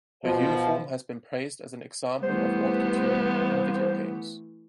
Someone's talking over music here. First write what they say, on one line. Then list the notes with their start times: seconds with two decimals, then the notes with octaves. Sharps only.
Her uniform has been praised as an example of haute couture in video games.
0.24 B2 F3
2.23 E3 G3 A3 B3 C5